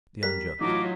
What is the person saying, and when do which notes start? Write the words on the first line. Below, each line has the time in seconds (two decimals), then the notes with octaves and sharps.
The unjust?
0.23 G3 A#4 F#6 B6
0.61 A2 E3 F#3 D#4 F4 D6